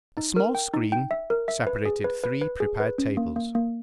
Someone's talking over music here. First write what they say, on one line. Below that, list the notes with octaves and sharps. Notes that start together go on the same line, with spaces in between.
A small screen separated three prepared tables.
D#4
A#4
G5
D#4
G5
E5
A#4
E5
B4
G#4
B4
B4
B4
G#4
B4
C#4
A#3
A#3
A#3